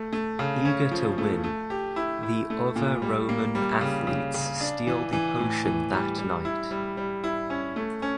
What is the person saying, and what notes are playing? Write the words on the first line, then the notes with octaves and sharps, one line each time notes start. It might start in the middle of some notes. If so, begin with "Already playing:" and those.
Eager to win, the other Roman athletes steal the potion that night.
Already playing: A3
A3
C#3
C#4
F3
A3
A3
G4
E4
E4
A3
A#2
G3
A#3
G3
C#3
C#3
C#3
D4
E3
E3
A2
E3
G3
G3
E4
G3
G3
E4
C#4
A3
C#4